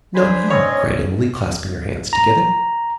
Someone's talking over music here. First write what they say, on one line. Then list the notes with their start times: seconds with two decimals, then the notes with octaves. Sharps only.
'No! no!' cried Emily, clasping her hands together.
0.15 D4 C5 G#5 B5
0.50 C4 C#4 C#5 D#5
2.13 A#5